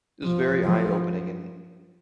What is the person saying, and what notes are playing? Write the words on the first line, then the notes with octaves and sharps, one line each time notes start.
it was very eye opening, and
F3
F3